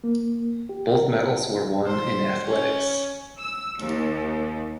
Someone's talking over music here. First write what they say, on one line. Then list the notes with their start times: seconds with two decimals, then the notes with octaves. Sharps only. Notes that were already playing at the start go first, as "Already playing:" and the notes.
Both medals were won in athletics.
0.04 A#3
0.69 G4
0.91 A#4
1.86 C5
2.46 C#4
3.39 E6
3.78 D#2